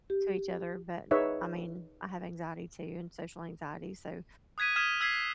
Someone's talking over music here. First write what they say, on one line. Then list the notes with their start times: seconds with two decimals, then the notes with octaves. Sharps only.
to each other, but I mean, I have anxiety too and social anxiety, so
0.10 G4
1.11 D#4 G#4 B4 C#5 E5
4.58 D#6 F#6 G#6 B6 D#7
4.76 D#6 F6 G#6 B6 E7
5.01 E6 G#6 B6 C7